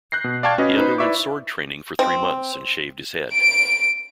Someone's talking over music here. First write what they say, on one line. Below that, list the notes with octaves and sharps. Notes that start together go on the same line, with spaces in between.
He underwent sword training for three months and shaved his head.
F#6 G6 A#6 C7
B2
D5 F5 G5 A5 C#6 G#6
C#4 F#4 B4 D#5
D#4 B4 C5
E4 B4 D5 E5 C#6 D6
C4
D7